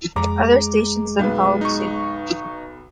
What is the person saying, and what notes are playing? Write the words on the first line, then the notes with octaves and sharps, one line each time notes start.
Other stations then followed suit.
F2 G#3 A#5 D6
B1 B4
D#4 C#6